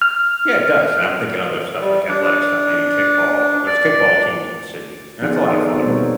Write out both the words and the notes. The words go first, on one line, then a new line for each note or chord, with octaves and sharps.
Yeah, it does, and I'm thinking other stuff, like athletic stuff, maybe kickball. There's kickball teams in the city, and that's a lot of fun.
F6
G3
D4
D5
D#3 F3 B3 D#4 G#4 D5
D#4 A4 B4 D5
B3 C4 D#4 F#4 C5 C#5
B2 G3 A#3 F#4 A#4 C#5